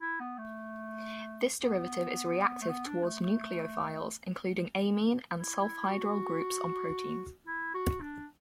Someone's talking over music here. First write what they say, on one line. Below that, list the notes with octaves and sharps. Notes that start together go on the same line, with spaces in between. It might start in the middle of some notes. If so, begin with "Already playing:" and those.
This derivative is reactive towards nucleophiles including amine and sulfhydryl groups on proteins.
E4
B3
A3
B3
A3
B3
D4
A3
A3
E4
E4
F#4
E4
F#4
D4